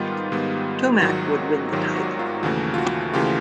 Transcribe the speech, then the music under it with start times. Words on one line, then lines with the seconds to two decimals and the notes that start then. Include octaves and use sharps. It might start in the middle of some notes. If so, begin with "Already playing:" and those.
Tomac would win the title.
Already playing: G#2 D#3 G3 B3 F4 G4
0.32 G#2 D#3 G3 B3
1.02 G#1 G#2 D#3 F#3 F#4
1.73 G#1 G#2 D#3 F#3 F4 G4
1.96 F#4
2.19 F4
2.43 D#2 C#3 E3 A3 F#4
2.74 F4
2.78 F#4
3.14 D#2 C#3 E3 A3 F4 G4